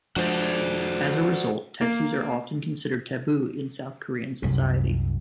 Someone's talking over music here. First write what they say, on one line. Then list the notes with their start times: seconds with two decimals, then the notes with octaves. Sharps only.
As a result, tattoos are often considered taboo in South Korean society.
0.16 F3 G#3 D4 F#4 C5 D5
1.81 A#3
4.43 C2 F#2